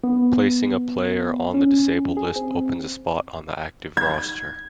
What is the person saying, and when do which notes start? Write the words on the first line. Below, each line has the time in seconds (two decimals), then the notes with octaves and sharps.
Placing a player on the disabled list opens a spot on the active roster.
0.03 B3
1.54 C#4
2.17 G#4
2.36 C4
3.97 G#6